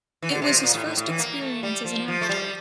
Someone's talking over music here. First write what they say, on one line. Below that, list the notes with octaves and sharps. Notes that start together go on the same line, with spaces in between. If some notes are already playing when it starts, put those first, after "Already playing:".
It was his first experience as an actor.
E3
D3
C3
A#2
A#2
A2
A2
A2
E3
A#3
A3
G3
F3
F3
A3
G3